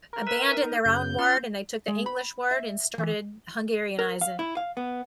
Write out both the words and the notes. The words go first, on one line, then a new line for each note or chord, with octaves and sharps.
abandoned their own word, and they took the English word, and started Hungarianizing.
A#4
B4 E5
D#4
F#2 C#3 G6
C#4 F4 C6
G#3
B5
E5
E3
A#4
F5
E4
F5
B3